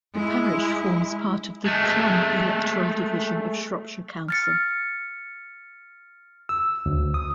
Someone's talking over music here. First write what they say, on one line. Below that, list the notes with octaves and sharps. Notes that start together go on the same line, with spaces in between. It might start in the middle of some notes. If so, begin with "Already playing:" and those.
The parish forms part of the Clun electoral division of Shropshire Council.
G#3 E4
G#3 A3
F6 A6 C#7
E6
D2
D#6